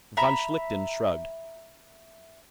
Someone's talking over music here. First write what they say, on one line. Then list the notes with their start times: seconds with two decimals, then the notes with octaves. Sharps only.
Von Schlichten shrugged.
0.17 E5 A#5 B5